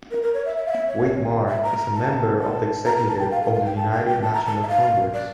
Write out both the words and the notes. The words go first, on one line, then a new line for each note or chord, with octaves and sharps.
Wade Mark is a member of the executive of the United National Congress.
A#4
A#4
C#5
E5
E5
F5
E5
C#5
E5
A#5
A#5
A5
A5
A#5
A#5
A5
G5
F5
F5
F5
G5
A5
G5
G5
A5
A#5
A5
E5
F5
D5